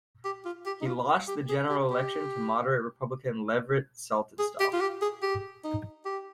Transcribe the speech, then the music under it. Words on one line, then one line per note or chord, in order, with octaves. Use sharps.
He lost the general election to moderate Republican Leverett Saltonstall.
G4
F4
G4
D#4
F4
G4
G#4
G4
G4
G#4
G4
F4
G4
G#4
G4
D#4
G4